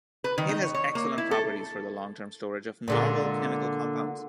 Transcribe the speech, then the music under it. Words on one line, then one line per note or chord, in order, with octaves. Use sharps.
It has excellent properties for the long-term storage of novel chemical compounds.
B4
D#3
D#4
C#5
C#5
A#3
E4
A4
A#2 D3 G#3